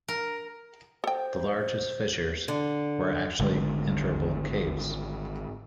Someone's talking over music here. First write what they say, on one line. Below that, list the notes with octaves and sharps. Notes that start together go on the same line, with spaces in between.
The largest fissures were actually enterable caves.
A#4
A4 C5 G5
D3
G#1 D3 G#3